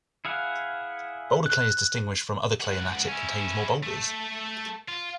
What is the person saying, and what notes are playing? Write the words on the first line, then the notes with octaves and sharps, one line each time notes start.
Boulder clay is distinguished from other clay in that it contains more boulders.
E4 G#4 F5 F#5
F#6
C#2 F#5
C#4 E4
A3 A4
F4